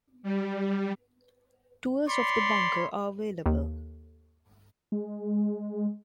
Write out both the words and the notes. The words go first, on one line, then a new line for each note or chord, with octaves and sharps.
Tours of the bunker are available.
G3
C#5 D5 B5 C6
D#2
G#3